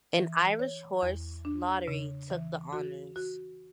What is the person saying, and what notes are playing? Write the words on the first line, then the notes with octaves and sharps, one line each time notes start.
An Irish horse, Lottery, took the honours.
E3
C#5
E2
D4
C#3
E3
F#4
F#4